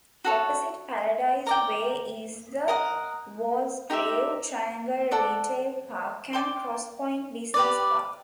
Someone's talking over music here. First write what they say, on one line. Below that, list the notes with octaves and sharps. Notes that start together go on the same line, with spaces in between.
Opposite Paradise Way is the Walsgrave Triangle Retail Park and Cross Point Business Park.
F#4 A4 C#5
A#4 D5 G5
A#4 D#5 F#5
D#4 G4 C5 E5
A4 D5 F#5
D5 G5 C6
G4 B4 D5